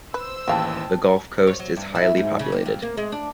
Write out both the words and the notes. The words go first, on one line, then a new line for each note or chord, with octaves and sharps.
The gulf coast is highly populated.
B4 C5 E6
A1 D#2 C#3 E3 F5 G5 A5
C#5
F#3
G2
E4
G#2
C#3
D#2
F2
A#3
G#3
D4